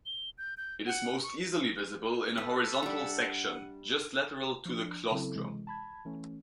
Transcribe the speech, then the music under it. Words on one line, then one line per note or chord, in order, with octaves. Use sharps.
It is most easily visible in a horizontal section, just lateral to the claustrum.
G7
G6
G6
F#5
C#6
B3 A4 B4
G3 D4 E5 F#5
F3 D4
C#3 F#3 C4 E4 A4
C3 E3 G#3
A5 B5 G#6
E3 A3 C#4